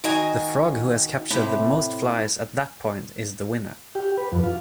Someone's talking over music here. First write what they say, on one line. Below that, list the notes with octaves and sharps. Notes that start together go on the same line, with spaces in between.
The frog who has captured the most flies at that point is the winner.
D#3 F#4 D#5 G#5
A2 C3
G4
B4
F2
F4